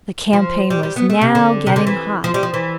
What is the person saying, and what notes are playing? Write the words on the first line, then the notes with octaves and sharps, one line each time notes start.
The campaign was now getting hot.
F3
G3
G3
B3
A3
C3
D3
C3
D3
E3
F3
G3
F3
E3